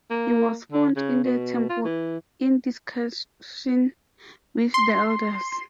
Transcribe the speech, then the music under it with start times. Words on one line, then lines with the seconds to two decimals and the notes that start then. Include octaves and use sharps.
He was found in The Temple in discussion with the elders.
0.10 A#3
0.72 D3
0.96 C#3
1.24 B2
1.69 F4
1.85 E3
4.74 C6